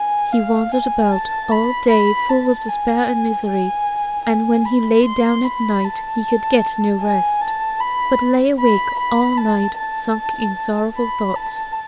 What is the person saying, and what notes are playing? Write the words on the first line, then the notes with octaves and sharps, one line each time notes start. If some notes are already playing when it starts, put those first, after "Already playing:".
He wandered about all day full of despair and misery, and when he lay down at night he could get no rest, but lay awake all night sunk in sorrowful thoughts.
Already playing: G#5
F5
G#5
A5
B5
B5
A5
G#5
G#5
G#5
B5
C6
B5
A5
G#5
A5
B5
B5
B5
A5
A5
B5
A5